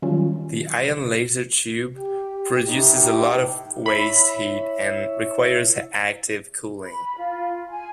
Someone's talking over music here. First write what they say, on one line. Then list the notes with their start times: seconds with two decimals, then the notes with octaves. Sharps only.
The ion laser tube produces a lot of waste heat and requires active cooling.
0.02 D#3 F#3 G3 C#4 F4
1.95 G4
2.66 A2 D#4 G4
3.86 E4 C#5 E5 B5
6.86 B5
7.16 F4
7.69 G#5